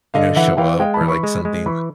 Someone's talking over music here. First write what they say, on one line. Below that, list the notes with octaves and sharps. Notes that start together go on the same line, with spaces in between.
you know, show up or, like, something?
D3 D#5 F5
E3 E5 F#5
E3 F5 G5
G#3 F5 G5
A5 B5
E3
B5 C#6
G#3
G#3
E3 B5 C#6